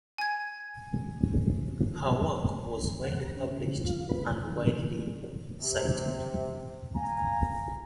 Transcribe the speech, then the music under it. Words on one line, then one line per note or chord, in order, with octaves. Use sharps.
Her work was widely published and widely cited.
G#5 G#6
F#5
A#5
C#4
C#3
F4
B4
F3
D3
C3
F5 G#5 A#5